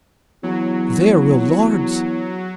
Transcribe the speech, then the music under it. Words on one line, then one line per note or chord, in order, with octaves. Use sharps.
There were lords!
E2 F#3